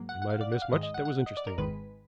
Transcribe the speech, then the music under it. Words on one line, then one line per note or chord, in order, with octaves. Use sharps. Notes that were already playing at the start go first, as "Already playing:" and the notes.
We might have missed much that was interesting.
Already playing: G#2 F#3 A#3
F#5
F#5
F5
D5
F#5
F5
G#2 D#3 G#3 D#5
D#5
F#5
F#5
D#5
D5
A#4
G#1 G#2 D#3 G#3 B4